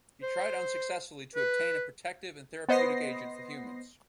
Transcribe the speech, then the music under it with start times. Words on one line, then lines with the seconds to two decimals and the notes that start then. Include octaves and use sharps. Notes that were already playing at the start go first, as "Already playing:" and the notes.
He tried unsuccessfully to obtain a protective and therapeutic agent for humans.
0.23 C5
1.35 B4
2.69 B3 C5 D#5 A#6 C7